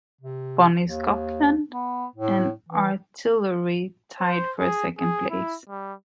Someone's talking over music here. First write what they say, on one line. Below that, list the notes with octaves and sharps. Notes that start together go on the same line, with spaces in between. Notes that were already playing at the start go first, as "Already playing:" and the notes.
Bonnie Scotland and Artillery tied for second place.
C3
D#2
B3
A2
E3
C5
G#4
G#4
E4
G3